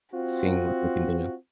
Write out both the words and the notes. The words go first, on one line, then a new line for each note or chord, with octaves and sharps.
seeing what we can do.
C4 F4 F#4